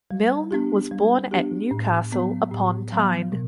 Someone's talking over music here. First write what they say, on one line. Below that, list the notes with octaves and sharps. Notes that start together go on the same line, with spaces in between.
Milne was born at Newcastle upon Tyne.
G3
B3 D4 G4
G3
B3 D4 G4
A2
F#3 B3
A2
F#3 B3
B2